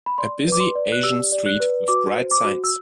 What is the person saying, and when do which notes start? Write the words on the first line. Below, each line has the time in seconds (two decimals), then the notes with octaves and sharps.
A busy Asian street with bright signs.
0.06 B5
0.18 D5 C6
0.47 B4 D6
0.60 C6
0.75 D5
0.92 F#6
1.03 G4 E6
1.32 D5
1.46 F#6
1.60 B4
1.88 F#4 D6
2.17 C5
2.31 D6
2.45 F#4
2.64 E6